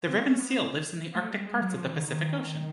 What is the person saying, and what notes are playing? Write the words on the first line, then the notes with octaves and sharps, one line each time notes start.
The ribbon seal lives in the Arctic parts of the Pacific Ocean.
C4
C#4
B3
A3
G3
G#3
F#3
F3
E3
D#3
D#3